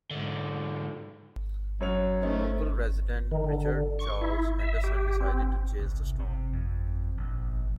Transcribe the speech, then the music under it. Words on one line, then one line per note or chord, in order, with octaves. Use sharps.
Local resident Richard Charles Henderson decided to chase the storm.
G#2 D3
F#2 F#3 C#5 F7
A3 C#4 D#4 C5 D#5
D#3
D3
C#6
E4
E5
G4
C4
C2
C3
F2
A#1